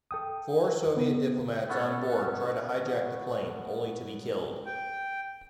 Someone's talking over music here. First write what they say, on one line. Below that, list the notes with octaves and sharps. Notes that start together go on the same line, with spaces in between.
Four Soviet diplomats on board try to hijack the plane, only to be killed.
A4 G5 D#6
C#3 B3
B3 C#4 A4 C#5
G5